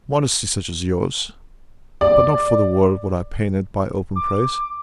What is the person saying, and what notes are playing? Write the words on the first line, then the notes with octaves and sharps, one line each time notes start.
Modesty such as yours--but not for the world would I pain it by open praise.
D5
D6